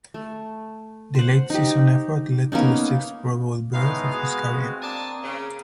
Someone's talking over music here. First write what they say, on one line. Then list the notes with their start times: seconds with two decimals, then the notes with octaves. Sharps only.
The late season effort led to the sixth Pro-Bowl berth of his career.
0.14 A3
1.15 C5 F#5
1.50 D#4 G4
2.52 A#3 B3 C#4 D#4
3.74 A2 G#3 B3 D#4 F5
4.12 G#3 F#4 G#4
4.52 C4
4.81 A#3 D4 G#5 A5 D#6
5.23 C#3